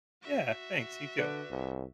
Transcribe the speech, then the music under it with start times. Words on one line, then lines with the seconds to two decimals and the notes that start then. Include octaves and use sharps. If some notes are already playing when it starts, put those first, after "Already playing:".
Yeah, thanks, you too.
0.22 F#4 E5
1.18 D3 B4 D5
1.51 C2